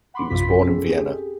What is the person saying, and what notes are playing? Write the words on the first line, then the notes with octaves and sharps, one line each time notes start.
He was born in Vienna.
F#5 B5 C6 D6
A#1 F#2 C3 F4 B6
C4 C#4 G#4 A4
G4 G#4